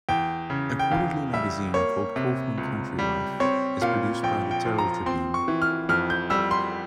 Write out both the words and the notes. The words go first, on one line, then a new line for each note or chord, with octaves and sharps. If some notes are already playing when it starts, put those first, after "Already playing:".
A quarterly magazine called "Kaufman County Life" is produced by the "Terrell Tribune".
E2 G5
C#3
G5
E2 F5
G3 E5
A#3 C#5
C3
C#2
G3
C4 C#5
A#2 F5
A#1 G5
G5
F3
A#5
C4 C6
C#6
E3
F6
F2 F6
G6
G3 E6
C6